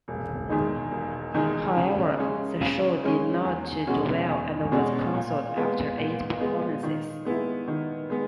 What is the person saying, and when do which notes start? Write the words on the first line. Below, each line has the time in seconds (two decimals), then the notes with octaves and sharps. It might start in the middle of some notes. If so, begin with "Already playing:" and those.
However, the show did not do well and was cancelled after eight performances.
0.08 E1
0.49 E2 D#3 G#3 D#4
0.91 E1
1.34 E2 D#3 G#3 D#4
1.76 C#3
2.19 G#3 C#4
2.61 C#3
3.03 G#3 C#4
3.45 E2
3.87 B2 G#3 C#4 F#4
4.29 E2
4.72 B2 G#3 C#4 F#4
5.14 A#2
5.56 G#3 B3
5.98 A#2
6.41 G#3 B3
6.83 D#3
7.25 G#3 B3 E4
7.68 D#3
8.10 G#3 B3